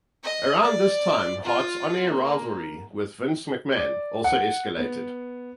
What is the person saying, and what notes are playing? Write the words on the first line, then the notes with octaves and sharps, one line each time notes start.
Around this time, Hart's on-air rivalry with Vince McMahon also escalated.
D#5
D5
F4
A#3
D5
F#5
B3